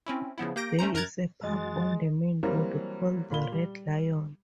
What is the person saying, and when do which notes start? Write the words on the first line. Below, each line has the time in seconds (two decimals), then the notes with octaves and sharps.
There is a pub on the main road called the Red Lion.
0.06 C4 C#4 E4
0.38 C#3 F3 B3 E4
0.56 A#3 G4 G6 A#6 D7
0.79 A3 C#4 C5 A#5
0.94 F#2 A#4 A#5 F#6 G#6 A6
1.43 F#2 E3 G#3 F#4 D#5 A6
2.43 E3 F#3 G3 A#3 C4 A#4
3.30 A#2 F4 B5 G7
3.52 G3